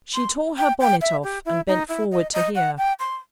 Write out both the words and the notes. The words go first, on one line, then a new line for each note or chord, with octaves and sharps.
She tore her bonnet off; and bent forwards to hear.
C6
G5
G5
E5
G4
E4
D#4
E4
D#5
D#5
F#5
G5
C6